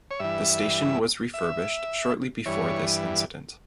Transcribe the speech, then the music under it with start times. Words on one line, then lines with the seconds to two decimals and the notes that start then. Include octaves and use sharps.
The station was refurbished shortly before this incident.
0.11 C#5
0.19 G2 E3 E5
1.34 E5
2.46 G2 E3 C#5